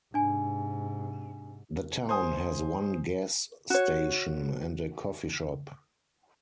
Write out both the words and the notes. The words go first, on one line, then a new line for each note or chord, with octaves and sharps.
The town has one gas station, and a coffee shop.
G#2 C3 D4 G#5
C5 G#5 D#6
F#4 C#5